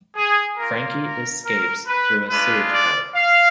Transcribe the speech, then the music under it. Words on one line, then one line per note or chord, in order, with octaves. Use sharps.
Frankie escapes through a sewage pipe.
G#4
A#3 F4 A#4
A#4
A#4
B4
G#3 D4 F4 B4
D5
F5